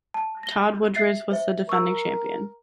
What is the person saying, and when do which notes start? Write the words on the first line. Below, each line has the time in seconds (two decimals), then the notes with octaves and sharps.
Todd Woodbridge was the defending champion.
0.14 A5
0.43 A#6 G7
0.95 E5 A6 C7
1.32 C5 E5
1.69 A#4 C#6 E6